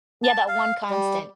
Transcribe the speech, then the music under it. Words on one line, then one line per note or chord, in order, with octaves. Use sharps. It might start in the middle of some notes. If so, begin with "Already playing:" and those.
Yeah, that one constant.
A5
F5
G3